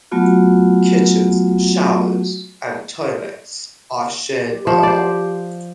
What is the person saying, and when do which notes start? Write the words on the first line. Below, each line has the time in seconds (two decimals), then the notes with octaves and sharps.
Kitchens, showers, and toilets are shared by all.
0.12 F#3 A3 B3 F4 F#4
4.46 G4
4.67 F3
4.83 C5 D5